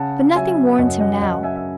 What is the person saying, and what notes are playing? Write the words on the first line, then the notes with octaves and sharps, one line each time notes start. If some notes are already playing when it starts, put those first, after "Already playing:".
But nothing warns him now.
Already playing: C#3 F#5 A5
F#3 E5 G#5
F#2 D#5 F#5
D#5 F#5
F#2 D#5 F#5
E5 G#5
E5